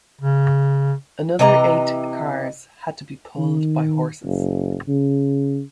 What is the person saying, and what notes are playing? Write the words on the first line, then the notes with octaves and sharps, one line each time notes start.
Another eight cars had to be pulled by horses.
C#3
C3 E3 D#5 A#5
D#3
F#1
C#3